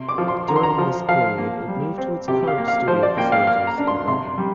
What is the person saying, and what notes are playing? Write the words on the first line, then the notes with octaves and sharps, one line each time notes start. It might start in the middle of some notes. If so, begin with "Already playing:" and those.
During this period, it moved to its current studio facilities in Elgin.
Already playing: C3 C6
D6
F3
C6
D3 A#5
C6
A#5
F3
F3 F5
A#3
G3
C4
C3 G4
F5
A#3
F5
F3 C5
D5
A#3 G5
F5
A#3 F5
A#5
D4
C6
C3 C6
G3